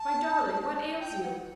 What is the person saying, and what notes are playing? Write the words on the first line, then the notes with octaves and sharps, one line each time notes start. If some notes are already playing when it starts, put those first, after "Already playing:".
"My darling, what ails you?"
Already playing: A5
G5
F#5